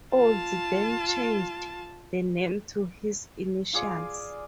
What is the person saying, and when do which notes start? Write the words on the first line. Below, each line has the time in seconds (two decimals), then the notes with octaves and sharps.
Olds then changed the name to his initials.
0.15 F4 A5
3.73 F4 G#4 D5 F5